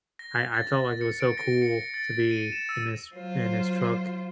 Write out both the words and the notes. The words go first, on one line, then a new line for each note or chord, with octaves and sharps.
I I felt, like, it was so cool to be in his in his truck
A#6
A6
C#7
D7
A#6
C#7
A6
D#7
E7
E6
F#3 F4 C5